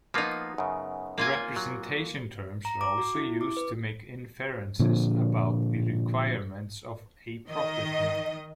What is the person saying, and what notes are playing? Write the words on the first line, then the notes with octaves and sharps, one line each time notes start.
Representation Terms are also used to make inferences about the requirements of a property.
F3 A#3 B3 D#4 F4
F#2 C#3
A#3 F4 G#5
F#3
A#5
D6
F#4
E4
D6
B4
A#2 D3 F3
D#3 D#5